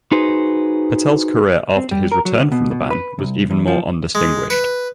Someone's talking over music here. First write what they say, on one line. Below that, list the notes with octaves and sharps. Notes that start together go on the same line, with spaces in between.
Patel's career after his return from the ban was even more undistinguished.
D#4 F#4 G#4 B4 C5
C4
G3
A#4
F#3
D2
B2
B2
B4
C2
E2
F3
G#3
B4